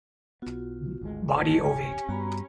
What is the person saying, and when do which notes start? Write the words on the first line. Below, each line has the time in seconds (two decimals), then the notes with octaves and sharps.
Body ovate.
0.42 B1 B3 F4 F#4
1.01 G#1 D2 G#3
1.35 D1 G1 C#4 F4 G4 D#5 A5
1.66 G#5
2.09 G2 B3 F#4 A#5 B5